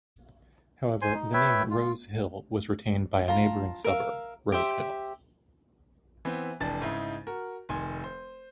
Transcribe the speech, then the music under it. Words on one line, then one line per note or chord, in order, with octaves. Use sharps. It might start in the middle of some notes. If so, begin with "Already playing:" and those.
However, the name "Rose Hill" was retained by a neighbouring suburb, Rose Hill.
C5 G#5 C6
D#4
B4 C#5 E5 G5
F4
F4 A5 A#5
A#4 E5 F5
G4 C5 E5
E3 B3 C4
F1 E3 D4 A5 A6
G#2 C#3 D#4 E4
F#4 A#4
F1 D#3 G#5 C6
C5